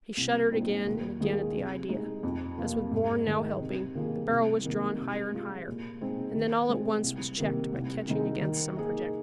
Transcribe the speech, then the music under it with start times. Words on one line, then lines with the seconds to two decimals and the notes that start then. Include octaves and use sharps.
He shuddered again and again at the idea, as with Bourne now helping, the barrel was drawn higher and higher, and then all at once was checked by catching against some projection.
0.17 C2
0.52 A#2 F3 C4 D#4
0.86 D#2
1.20 D#3 G#3 F4 G#4
1.55 C3
1.89 G#3 D#4
2.23 F2
2.57 C3 F3 A#3 F4
2.91 G#2
3.26 D#3 G#3 D#4
3.60 C3
3.95 D#3 A#3 F4 G#4
4.29 C2
4.64 C3 D#3 A#3 D#4
4.98 C3
5.32 G#3 F4 G#4
5.67 A#2
6.01 G#3 C4 D#4 G#4
6.36 D#3
6.69 G#3 C4
7.04 C2
7.37 C3 D#3 A#3
7.73 C2
8.06 C3 D#3 G#3 D#4
8.40 D#3
8.76 A#3 D#4 G#4